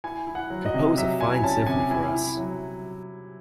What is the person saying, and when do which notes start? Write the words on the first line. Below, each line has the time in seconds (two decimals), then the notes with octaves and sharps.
Compose a fine symphony for us!
0.04 E4 G#5
0.27 E4
0.35 F#5
0.50 F#3
0.65 D#5
0.74 C3
0.97 F#3 E5
1.21 E4 G#5
1.31 G#5
1.44 C#4 A5
1.67 C3 G#5
1.91 E4 G#5
2.14 E4
2.37 F#3